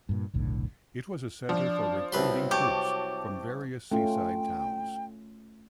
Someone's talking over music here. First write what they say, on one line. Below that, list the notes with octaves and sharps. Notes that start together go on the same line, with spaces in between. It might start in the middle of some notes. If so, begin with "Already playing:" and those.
It was a center for recruiting troops from various seaside towns.
G2 A#2
F1 B1 A2 D3
F3 D4
C2 F#3 B4 C6
G4 A5 C#6 D6
A3 C#4 F4 G5